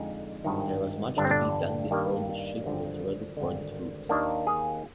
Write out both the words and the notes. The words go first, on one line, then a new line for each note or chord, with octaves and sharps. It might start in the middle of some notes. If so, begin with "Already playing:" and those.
There was much to be done before the ship was ready for the troops.
Already playing: F2 D3 G#3 D#4
G#1 G2 D#3
G1 G2 D3 D4
C4
D4
G2 D#3 G3 A#3
G#1 G2 D3 F3
G#1 G2 D3
D#2 D#3 A#3 D4
G#4